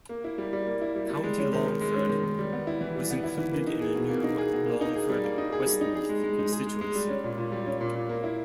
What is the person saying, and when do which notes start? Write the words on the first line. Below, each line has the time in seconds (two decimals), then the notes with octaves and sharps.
County Longford was included in a new Longford-Westmeath constituency.
0.09 A#3
0.24 E4
0.38 G3
0.53 G3
0.67 A#3
0.81 E4
0.96 G3
1.10 G3
1.23 G#3
1.38 C#4
1.53 D#3
1.67 D#3
1.81 G#3
1.95 C#4
2.09 D#3
2.23 D#3
2.39 G3
2.53 B3
2.67 E4
2.81 E3
2.96 G3
3.10 B3
3.24 E4
3.38 E3
3.52 A#3
3.67 D#4
3.81 G#4
3.95 B2
4.09 A#3
4.24 D#4
4.38 G#4
4.53 B2
4.66 A#3
4.81 D#4
4.95 G#4
5.09 G3
5.24 A#3
5.38 D#4
5.52 G#4
5.66 G3
5.81 D#4
5.95 G#4
6.09 G#3
6.23 G#3
6.39 D#4
6.52 G#4
6.66 G#3
6.81 G#3
6.95 G3
7.09 C#4
7.24 A#2
7.38 A#2
7.52 G3
7.66 C#4
7.81 A#2
7.95 A#2
8.09 A#3
8.24 E4